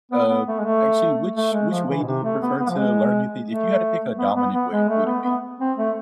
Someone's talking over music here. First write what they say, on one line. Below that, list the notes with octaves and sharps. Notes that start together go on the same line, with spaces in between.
uh, actually, which which way do you prefer to learn new thin If you had to pick a dominant way, would it be?
B3
B3
A3
G#3
A3
A3
G#3
F3
E3
B2
C3
A3
B3
B3
F3
G#3
A3
B3
B3
B3
G#3
A3
B3
B3
C4
A3